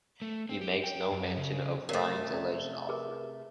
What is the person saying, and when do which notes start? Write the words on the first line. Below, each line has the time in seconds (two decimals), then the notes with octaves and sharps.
He makes no mention of Phryne's alleged offer.
0.22 A3
0.49 C4
0.61 G4
0.84 G5
1.12 F#2
1.37 C#3
1.89 C3 A3 A#4 C#5 D#5
2.31 C#4 D5 A#5
2.89 G#4 A#4 B4